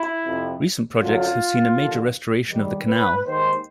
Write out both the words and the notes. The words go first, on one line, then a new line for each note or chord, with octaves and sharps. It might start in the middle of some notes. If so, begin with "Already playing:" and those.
Recent projects have seen a major restoration of the canal.
Already playing: E4
F2 C3 F3
F#2 D3 F#3 F4
D#2 D3 F3
G#2 D#3 G3
B4
D#2 D#3 G#3 C5